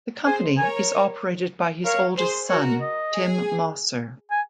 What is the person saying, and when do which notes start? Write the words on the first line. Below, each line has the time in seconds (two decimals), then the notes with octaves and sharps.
The company is operated by his oldest son, Tim Mosser.
0.25 G#4 C5 G#5
0.57 A#4 C#5 G#5
1.85 A#4 C#5 F5
2.17 G#4 C5
2.49 F#4 A#4 C#5
2.81 D#5
3.14 G#4
4.31 G#5